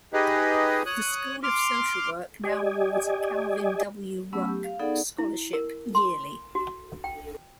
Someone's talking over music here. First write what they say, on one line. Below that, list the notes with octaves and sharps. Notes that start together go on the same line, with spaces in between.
The School of Social Work now awards a Calvin W. Ruck scholarship yearly.
D#4 G4 G#4 B4 D#5
C#5 D#6 F#6
C6 D6 F6
G4 D5 D#5 G#5
F#3 A3 B3 C#4 E6
G4
F5
B3 D#4 G#4 A4 D5 F#5
E4
A#4
C6
F#4
G5